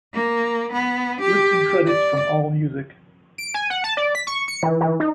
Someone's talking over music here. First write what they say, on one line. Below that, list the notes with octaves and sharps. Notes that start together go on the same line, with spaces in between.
Listed credits from AllMusic.
A#3
B3
G4
D5
D7
G#5
F#5
A5
D5
B6
C#6
C#7
E3
E3
D#4